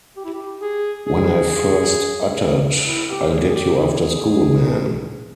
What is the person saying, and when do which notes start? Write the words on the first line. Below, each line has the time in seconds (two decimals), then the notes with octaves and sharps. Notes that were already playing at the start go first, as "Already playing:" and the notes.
When I first uttered, 'I'll get you after school, man!
0.16 G4
0.25 E4
0.33 G4
0.61 G#4
1.07 G#4
2.87 E4
3.09 G4
3.32 G#4
3.49 G#4
3.55 G4
3.77 G#4